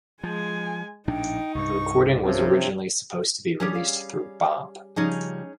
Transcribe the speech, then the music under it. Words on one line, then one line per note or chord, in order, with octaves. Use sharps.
The recording was originally supposed to be released through Bomp!
F3 G#3 G#5
A#1 A2 D4 D#4 G5
C2 G2 C#6
C3 F3 C#5
F#3 G3 C#4 D4 G#4
F5
C#3 F3 G3 C#4 D#4 G#4